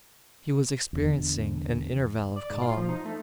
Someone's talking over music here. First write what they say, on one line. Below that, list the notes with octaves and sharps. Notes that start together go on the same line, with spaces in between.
He was experiencing an interval of calm.
E2 D3
D5
G#2
F4
F3
D#4
A3